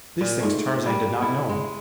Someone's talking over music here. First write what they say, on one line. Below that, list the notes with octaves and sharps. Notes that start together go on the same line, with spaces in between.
These things Tarzan did not know.
A#2
G#2 A3
G3 A#3
E4 A4
G#3